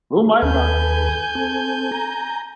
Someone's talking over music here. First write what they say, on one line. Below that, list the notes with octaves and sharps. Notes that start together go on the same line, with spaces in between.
who am I to knock your choice?
D#2 A4 B4 G#5 G6
C4 A4
A#5